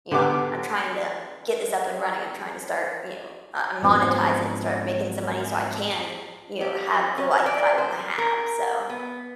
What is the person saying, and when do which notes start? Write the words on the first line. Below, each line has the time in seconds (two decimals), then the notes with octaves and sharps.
you know? I'm trying to get this up and running. I'm trying to start, you know, uh, monetize it and start making some money so I can, you know, have the life that I wanna have. So,
0.11 D3 B3 G4 D6
3.82 G#2 F3 F#3 B3 C4 D4
6.61 G4
7.18 C#4
7.46 D5
7.78 C5
8.18 A#4
8.89 B3